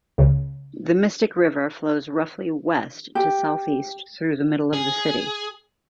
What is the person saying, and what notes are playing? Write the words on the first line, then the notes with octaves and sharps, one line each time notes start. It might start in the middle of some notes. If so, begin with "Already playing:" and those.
The Mystic River flows roughly west to southeast through the middle of the city.
C#2 C#3
G4
G#4